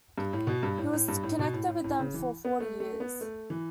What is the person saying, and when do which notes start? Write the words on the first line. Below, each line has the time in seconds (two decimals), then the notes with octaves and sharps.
He was connected with them for forty years.
0.18 G2
0.33 A2
0.47 B2
0.63 G2
0.78 A2
0.93 A2
1.08 G2
1.23 A2
1.39 B2
1.53 A2
1.68 A2
1.84 A2
1.99 C#3
2.14 E3
2.45 B3
2.60 A3
2.80 A3
3.00 B3
3.21 A3
3.50 E3